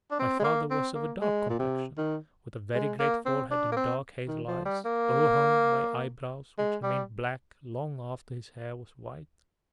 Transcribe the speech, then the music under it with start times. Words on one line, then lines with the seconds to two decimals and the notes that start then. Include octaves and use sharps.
My father was of a dark complexion, with a very great forehead and dark hazel eyes, overhung by eyebrows which remained black long after his hair was white.
0.11 D4
0.19 C4
0.39 G#3
0.44 A#3
0.70 C4
0.95 A#3
1.22 G#3
1.50 A#2
1.59 C3
1.98 D#3
2.75 G#3
2.99 A#3
3.26 C4
3.51 D4
3.72 A#3
3.77 C4
4.28 D#3
4.47 F3
4.65 G3
4.85 A#3
6.58 G#3
6.83 G3